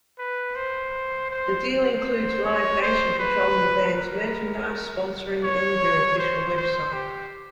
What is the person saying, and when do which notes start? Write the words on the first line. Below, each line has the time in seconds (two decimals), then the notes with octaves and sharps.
The deal includes Live Nation controlling the band's merchandise, sponsoring and their official website.
0.19 B4
0.56 C5
1.31 C5
1.69 C5
2.44 C#5
2.82 C5
3.19 B4
3.94 A#4
5.44 C#5
6.19 C5
6.57 C5
6.93 G4